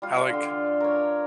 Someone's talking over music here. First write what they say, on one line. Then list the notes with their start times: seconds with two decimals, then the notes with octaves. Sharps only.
I like
0.02 G3 F4
0.30 D3 G5
0.80 A#4 C#5